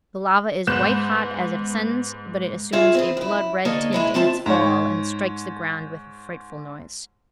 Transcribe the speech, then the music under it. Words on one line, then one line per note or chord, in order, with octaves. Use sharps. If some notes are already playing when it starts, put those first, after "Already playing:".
The lava is white hot as it ascends, but it assumes a blood-red tint in its fall, and strikes the ground with a frightful noise.
G#2 B3 F#6 G6 E7
F4 G#4 C#5 E5
C4 E4 G#4
F#2 E4
D3 A#3 D#4 G#4 A4 C#5
G#3 E4 C#5
D#2 C4 F4 E5 A5
G#2 C#5